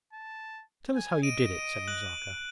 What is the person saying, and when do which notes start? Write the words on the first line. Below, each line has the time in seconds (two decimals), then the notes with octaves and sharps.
Tell us how you did it!' said Nazarka.
0.13 A5
0.95 G#5
1.23 D#5 D7 D#7
1.88 F#6 F#7